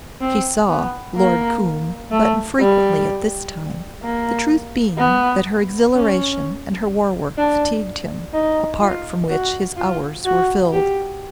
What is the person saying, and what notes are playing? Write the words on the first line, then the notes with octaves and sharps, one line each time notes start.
She saw Lord Coombe but infrequently at this time, the truth being that her exhilaration and her War Work fatigued him, apart from which his hours were filled.
C4
B3
A#3
A3
G3
A#3
B3
C#4
D4
D#4
F4
F#4
F4
F#4
G4